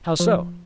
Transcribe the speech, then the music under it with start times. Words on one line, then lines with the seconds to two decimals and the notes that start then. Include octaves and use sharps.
"How so?"
0.20 F3